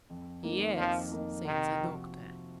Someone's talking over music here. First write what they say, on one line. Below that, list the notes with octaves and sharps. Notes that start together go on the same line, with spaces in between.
"Yes," said the doctor.
F2
D#3 A#3 D#4 A#4
F2 F3
D#3 A#3 D#4 A#4
C3 D#3
F3 C4 F#4